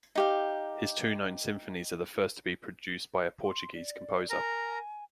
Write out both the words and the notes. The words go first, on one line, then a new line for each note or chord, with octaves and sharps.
His two known symphonies are the first to be produced by a Portuguese composer.
D#4 G4 F5
C6
D5
A#4 G#5 A#5